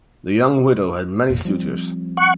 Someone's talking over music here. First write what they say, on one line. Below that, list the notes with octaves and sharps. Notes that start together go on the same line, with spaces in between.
The young widow had many suitors.
A1 F2 A#2
F3 G3 C4
F#5 C#6